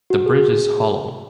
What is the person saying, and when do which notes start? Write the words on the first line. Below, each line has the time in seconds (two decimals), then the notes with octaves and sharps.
The bridge is hollow.
0.10 F#4
0.26 G#4